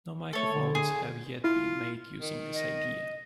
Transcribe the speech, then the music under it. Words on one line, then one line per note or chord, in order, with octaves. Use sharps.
No microphones have yet been made using this idea.
A3 A4 C#5
D3
G#4
E4 F4
D#3
D#5